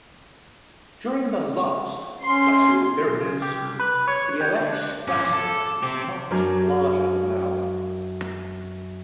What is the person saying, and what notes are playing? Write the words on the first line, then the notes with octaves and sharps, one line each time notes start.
During the last glacial periods, the Aletsch Glacier was much larger than now.
C#4 C6
B1
C#3
G4
C2
B4
C#5
G4
D3
D4
F3 C#4 D6
A4
C4 G4
F#2 D4 A#4 G6